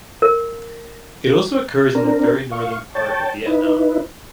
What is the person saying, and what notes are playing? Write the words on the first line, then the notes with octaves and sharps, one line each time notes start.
It also occurs in the very northern part of Vietnam.
A#4
C4 D4 A#4
F5 C#6
C#5 G5 A5
D#4 E4 B4